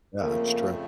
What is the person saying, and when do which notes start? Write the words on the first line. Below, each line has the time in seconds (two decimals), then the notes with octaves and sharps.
Yeah, it's true.
0.22 F2 C#3 F3 A3 A#3